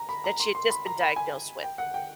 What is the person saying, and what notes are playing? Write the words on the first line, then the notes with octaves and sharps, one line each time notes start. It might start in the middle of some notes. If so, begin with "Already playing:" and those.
that she had just been diagnosed with.
Already playing: A#5
B5
A#5
C6
C6
B5
A#5
B5
G#5
G5
F#5
G5